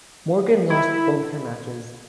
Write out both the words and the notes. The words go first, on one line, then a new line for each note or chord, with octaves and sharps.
Morgan lost both her matches.
E4